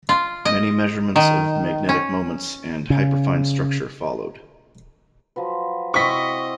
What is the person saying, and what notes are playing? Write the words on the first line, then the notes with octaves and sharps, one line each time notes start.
Many measurements of magnetic moments and hyperfine structure followed.
F4
D#5
D#3
C#4
C#3
F3 F#3 B4
C3 C4 E4 D#5 C#6 B6